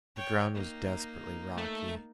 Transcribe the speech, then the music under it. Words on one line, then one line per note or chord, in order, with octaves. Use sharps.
The ground was desperately rocky.
C#5 G5
A#3 D#4
A3